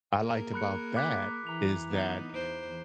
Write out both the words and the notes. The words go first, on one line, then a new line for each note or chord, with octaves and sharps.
I liked about that, is that,
A#3 G#4 A#4
B5 F#6 C#7
D6 F#6 B6
E3 A#5 F7
B3 D#4
E2 C5 D7